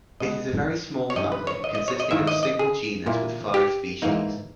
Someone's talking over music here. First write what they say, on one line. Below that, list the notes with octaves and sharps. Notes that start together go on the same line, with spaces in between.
It is a very small family, consisting of a single genus with five species.
B2 G#3 B3 D#5
C#5
G2 G3 C#4 E4 D#5
B4
C#5
D#5
D#5
C#5
D#5
G2 D#3 A#3 E4 E5
D#5
D#5
G#4
A#2 A#3 E4
G4
G#2 E3 A#3 D#4